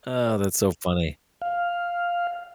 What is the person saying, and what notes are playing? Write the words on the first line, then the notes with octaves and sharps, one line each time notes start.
Uh, that's so funny.
F5